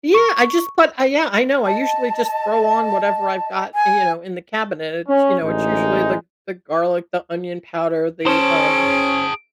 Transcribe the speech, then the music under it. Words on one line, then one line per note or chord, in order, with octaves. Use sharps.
Yeah, I just put I yeah, I know, I usually just throw on whatever I've got, you know, in the cabinet. It's, you know, it's usually the the garlic, the onion powder, the, um,
C#6
D#5 A5
G#5
C#4
A1 D2 G#3 D#4
C#4 G#4 C5 A5 D7